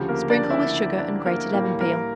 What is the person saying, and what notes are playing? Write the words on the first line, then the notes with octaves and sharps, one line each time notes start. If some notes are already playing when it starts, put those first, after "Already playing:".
Sprinkle with sugar and grated lemon peel.
Already playing: D2 C#3 F3 G4
A#3 A#4
D4 D5
E4 E5
D4 D5
A#3 A#4
A2 G3 A#3 A#4
A#3 A#4